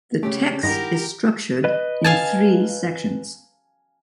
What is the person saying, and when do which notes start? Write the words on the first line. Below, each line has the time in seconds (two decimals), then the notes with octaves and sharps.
The text is structured in three sections.
0.23 C#3 A3 C#4 G4
0.63 G2 D#3 G#3 E4 G4 A#4 F#5 A#6
1.64 B4 D#5
2.04 F5 G#5 A5